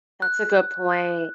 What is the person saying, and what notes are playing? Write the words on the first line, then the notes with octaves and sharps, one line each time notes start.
That's a good point.
F#6